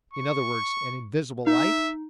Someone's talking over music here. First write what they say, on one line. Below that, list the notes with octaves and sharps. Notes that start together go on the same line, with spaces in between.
"In other words, an invisible light?"
C#6
D#4 E5